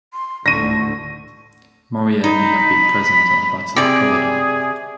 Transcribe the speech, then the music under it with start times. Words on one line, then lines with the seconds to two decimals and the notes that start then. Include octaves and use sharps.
Morier may have been present at the Battle of Culloden.
0.14 C6
0.46 D#1 D2 A2 D3 C#6 A#6 D#7
2.24 D#4 B5
3.76 C3 G#4 D5